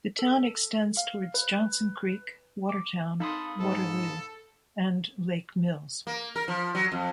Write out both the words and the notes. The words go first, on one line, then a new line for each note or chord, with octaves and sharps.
The town extends towards Johnson Creek, Watertown, Waterloo, and Lake Mills.
A4
F5
B4
D6
D#4 A4 F5 B5 C6 D#6
G#2 A4
A#3
A#4
F3
F#3
F2